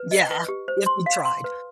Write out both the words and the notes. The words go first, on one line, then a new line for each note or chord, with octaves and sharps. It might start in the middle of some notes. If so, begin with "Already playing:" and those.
Yeah, if you tried.
Already playing: B4
D#5
B4
G4
C5
C6
F5
C6
B4